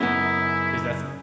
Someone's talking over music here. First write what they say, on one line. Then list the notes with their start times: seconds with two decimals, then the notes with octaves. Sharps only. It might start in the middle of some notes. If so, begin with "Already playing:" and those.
'cause that's
0.01 F#2 C#3 B3 C#4 D#4 E4